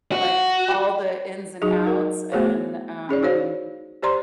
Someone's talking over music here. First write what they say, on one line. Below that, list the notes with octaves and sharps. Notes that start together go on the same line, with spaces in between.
like, all the ins and outs and, um,
F#4
F#3 D#4 F#4 G#4 D#5
D#4 F#4 A#4
A3 B3 F#4 G#4 C5 C#5
C#4 G#4 C#5 D5
D#4 F#4 C5 C#5 F5
G4 C5 D5 A#5 C6